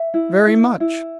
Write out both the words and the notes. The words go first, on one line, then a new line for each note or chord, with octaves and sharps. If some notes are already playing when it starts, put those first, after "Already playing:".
"Very much."
Already playing: E5
E4
E4
E4